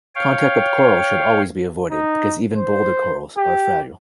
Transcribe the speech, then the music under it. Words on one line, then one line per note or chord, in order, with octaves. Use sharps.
Contact with coral should always be avoided, because even boulder corals are fragile.
C#5 F5 G5
D#4
C5
G4